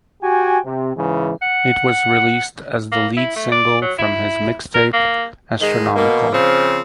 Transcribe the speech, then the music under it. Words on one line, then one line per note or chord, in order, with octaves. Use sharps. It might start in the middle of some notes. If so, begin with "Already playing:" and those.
It was released as the lead single from his mixtape "Astronomical".
F#4 G4 G5 G#5
C3
G#2 C#3 E3
F#5
A#3
E4
A3
D5
F#3
E4
A#4
A#3
G#2 D#3 G#3
B2 A#3
C#3 F3 C4